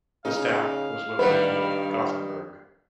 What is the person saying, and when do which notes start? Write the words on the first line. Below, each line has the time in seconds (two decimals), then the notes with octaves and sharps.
The staff was located in Gothenburg.
0.25 C#3 D#4 F5
1.19 G2 D#3 G3 B4